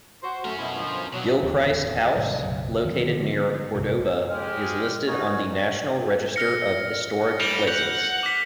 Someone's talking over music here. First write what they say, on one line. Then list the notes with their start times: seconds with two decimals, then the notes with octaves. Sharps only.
Gilchrist House, located near Cordova, is listed on the National Register of Historic Places.
0.23 F#4 C5
0.45 A3 C#4 A#4
0.58 B2 E4
0.75 B2 D3 F3
1.13 B2 F#3 D4
1.42 D1 E2 D#3
2.16 G#1 A2 C3 G3
2.41 B1 F#2 C#3
2.85 D#3 E3 F#3 C4
3.09 D3 F3 B3
3.74 C2 G2 C3
4.29 G#3 G4 F6
5.07 C#4 D#4 F#4 G#6
6.36 F6 A#6 C#7
7.40 G3 F7 G7
7.68 F#5 G6 F7
8.23 D6 B6